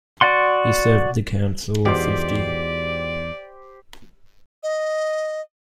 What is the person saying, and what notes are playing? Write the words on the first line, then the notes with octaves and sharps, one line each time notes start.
He served on the Council of Fifty.
F#4 D5 F#5 C6
E2 G#2 B2 G4 C5 D5
D#5